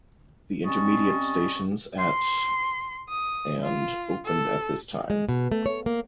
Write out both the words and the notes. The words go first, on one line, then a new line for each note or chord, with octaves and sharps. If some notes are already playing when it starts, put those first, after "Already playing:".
The intermediate stations at and opened at this time.
G3 C4 C#4 D#5 A5 C#6
C6
D#6
F4
A4
G#3
B2
A3
C#5
A#3